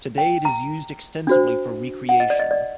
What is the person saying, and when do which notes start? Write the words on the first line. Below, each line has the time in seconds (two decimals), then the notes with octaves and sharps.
Today it is used extensively for recreation.
0.18 G5
0.45 A#5
1.27 D4 F#4 C5
2.09 F#5
2.20 D#5
2.30 D5
2.39 D#5
2.51 D5